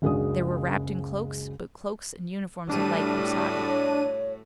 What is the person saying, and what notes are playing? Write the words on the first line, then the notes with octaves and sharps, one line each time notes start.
They were wrapped in cloaks, but cloaks and uniforms alike were sodden.
F#1 C#2 G#3 D4 F#4 D#6
A2 G3 A3 D4 F#4 D#7
C#5